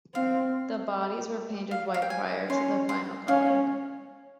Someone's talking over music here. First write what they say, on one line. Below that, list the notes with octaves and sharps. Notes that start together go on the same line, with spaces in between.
The bodies were painted white prior to the final color.
C4 F5
F5
F5
G5
G#5
C#4 C6
C6
C#4 F5